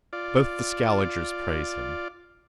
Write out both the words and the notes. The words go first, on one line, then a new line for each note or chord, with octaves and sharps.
Both the Scaligers praise him.'
F4 D5